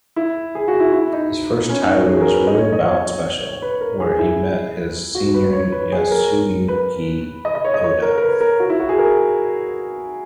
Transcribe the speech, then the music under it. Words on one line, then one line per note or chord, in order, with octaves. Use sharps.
His first title was "Real Bout Special" where he met his senior Yasuyuki Oda.
E4
G#4
F#4
E4
E4
D#4
C#4
D#4
F#4
G#4
A#4
B4
D#5
C#5
D#5
C#5
B4
A#4
G#4
E4
F#4
B4
C#5
B4
G#4
A#4
B4
D#5
D#5
C#5
D#5
C#5
A#4
A#4
B4
A#4
F#4
E4
F#4
G#4
A#4